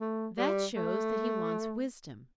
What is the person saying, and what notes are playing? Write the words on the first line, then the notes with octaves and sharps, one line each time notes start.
That shows that he wants wisdom.
A3
G3
A3